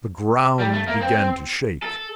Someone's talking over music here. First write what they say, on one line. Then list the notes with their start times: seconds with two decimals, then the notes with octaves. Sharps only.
The ground began to shake.
0.59 G3
0.73 A3
0.88 A#3
1.01 C4
1.82 A4